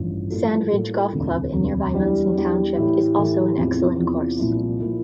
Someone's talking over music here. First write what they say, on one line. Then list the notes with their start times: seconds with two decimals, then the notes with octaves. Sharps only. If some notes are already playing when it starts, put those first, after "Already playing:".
Sand Ridge Golf Club in nearby Munson Township is also an excellent course.
Already playing: A1 G2 F3
0.30 A2 G3 A#3 F4 A4
0.71 A2 G3 A#3 F4 A4
1.12 E1 D2 C3
1.53 E1 D2 C3
1.94 E2 E3 G3 D4 G4
2.35 E2 E3 G3 D4 G4
2.76 A2 E3 A3 E4 G4
3.17 A2 E3 A3 E4 G4
3.57 E2 C3 F3
3.98 E2 C3 F3
4.39 C2 A#2 F3 A#3 E4
4.80 A#2 F3 A#3 E4